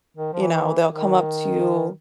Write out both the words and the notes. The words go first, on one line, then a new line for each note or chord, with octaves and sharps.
you know? They'll come up to you
D#3
F3
E3
D#3